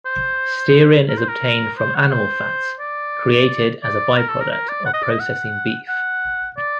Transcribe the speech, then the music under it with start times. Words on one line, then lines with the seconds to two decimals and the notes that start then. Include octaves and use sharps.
Stearin is obtained from animal fats created as a byproduct of processing beef.
0.06 C5
1.09 A#4
1.18 C5
1.29 A#4
1.77 C5
1.95 F#5
2.12 C5
2.79 D5
3.83 D5
4.17 A#4
4.28 A4
4.40 A#4
4.51 A#4
4.69 D5
4.86 F#5
4.93 D#5
5.02 D5
5.10 D#5
5.20 F#5
5.88 F#5
6.57 D5